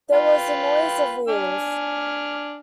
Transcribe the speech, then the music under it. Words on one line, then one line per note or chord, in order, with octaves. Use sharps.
There was the noise of wheels.
F4 B4 G5
D4 G#5 F6